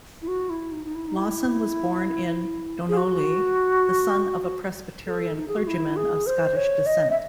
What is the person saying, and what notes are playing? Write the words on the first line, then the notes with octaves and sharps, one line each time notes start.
Lawson was born in Dunolly, the son of a Presbyterian clergyman of Scottish descent.
E4
F#4
E4
D#4
D#4
E4
D#4
E4
G#4
F#4
A4
D#4
G#4
F#4
E4
G#4
C5
C#5
D#5
E5